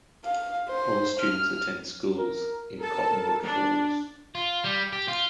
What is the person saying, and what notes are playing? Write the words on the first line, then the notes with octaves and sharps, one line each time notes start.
All students attend schools in Cottonwood Falls.
F5
C5
F6
A#4
A4 A#4 A5
D4
F4
G3
G4
F4